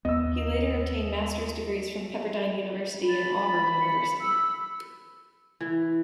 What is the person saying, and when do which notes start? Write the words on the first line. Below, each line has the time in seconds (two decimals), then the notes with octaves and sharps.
He later obtained Master's degrees from Pepperdine University and Auburn University.
0.05 D#2 B3 D#5 E6
3.09 B5 A6
3.82 C#7
4.20 E6
5.61 E3